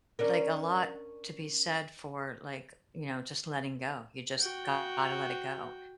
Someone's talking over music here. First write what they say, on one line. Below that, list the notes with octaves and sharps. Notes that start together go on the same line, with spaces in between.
like, a lot to be said for, like, you know, just letting go. You just gotta let it go.
C#4 D4 A#4
F#4 G5